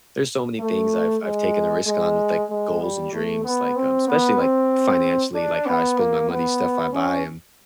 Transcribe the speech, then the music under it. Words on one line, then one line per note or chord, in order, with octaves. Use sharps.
there's so many things I've I've taken a risk on with, like, goals and dreams, like, um especially, like, financially, like, how I spend my money, stuff I buy, and,
A3
G#3
G#3
G#3
G3
A3
B3
C4
B3
C4
D4
B3
A#3
B3
C#4